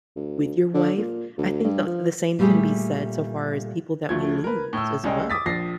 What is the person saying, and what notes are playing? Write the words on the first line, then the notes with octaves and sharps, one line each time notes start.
with your wife. I think the the same can be said so far as people that we lose as well.
D2
D3
A#2
D2
G2
F3
A#2 G3 A3 C4 G4 G#4
D2 F3 A3 G#6
A#4 B4
A2 E6
C2 G#3 C#4 D#5 G5
D6 D#6 A6 B6
A#1 F3 A#6 C7